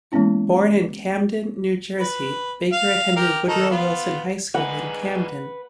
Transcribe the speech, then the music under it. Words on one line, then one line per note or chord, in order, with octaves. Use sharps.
Born in Camden, New Jersey, Baker attended Woodrow Wilson High School in Camden.
E3 G#3 A#3 B3 C#4 E4
B4
F5
G4 A#4
D#3 D#4 A4
B3 F4
G3 D#4 G#4 B4 F#5